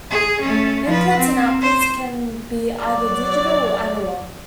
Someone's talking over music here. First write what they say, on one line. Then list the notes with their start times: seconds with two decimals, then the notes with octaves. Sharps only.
Inputs and outputs can be either digital or analog.
0.11 G#4
0.41 A3 C#4
0.86 F3 B4
1.17 C4
1.62 C5
2.83 F#3 D5